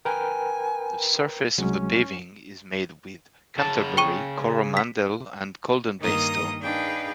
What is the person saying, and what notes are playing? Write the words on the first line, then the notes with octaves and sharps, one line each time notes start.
The surface of the paving is made with Canterbury, Coromandel and Golden Bay stone.
A#4 B4 G5 G#5
C2 F#3 G#3 C#4
C#3 A5
G5 C#6 D#7
B6
G2 D#3 A#3 D#5 A#5 D#6
D4 D#4 G#4 B4 F5 G5